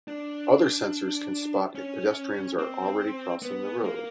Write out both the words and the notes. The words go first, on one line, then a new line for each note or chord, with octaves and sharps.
Other sensors can spot if pedestrians are already crossing the road.
D4
C#4
C4
B3
A#3